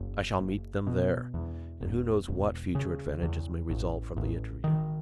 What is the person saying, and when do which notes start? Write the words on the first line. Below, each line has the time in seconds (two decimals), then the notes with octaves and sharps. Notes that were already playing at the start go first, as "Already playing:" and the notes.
I shall meet them there, and who knows what future advantages may result from the interview?
Already playing: F#1
0.40 F#1
0.87 B2
1.34 E2
1.81 E1
2.28 E1
2.75 C#3
3.23 E2
3.70 A1
4.17 A1
4.64 D#3